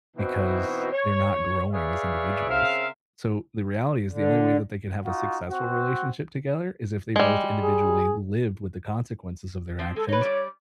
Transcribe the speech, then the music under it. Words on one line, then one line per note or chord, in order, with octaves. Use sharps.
because they're not growing as individuals. So, the reality is the only way that they can have a successful relationship together is if they both individually lived with the consequences of their actions,
B2 E3 C4 D#4 E4 F#4
C#5
G#4 B4 C#5 D5 E5 F5
C#3 C4 A#4 E5 F5
D3
D#4 F4 F#4
C4 F#4
G3 G#3
G#4
F3 C4
G#3 A4
D#4 B4 C#5
G3 D5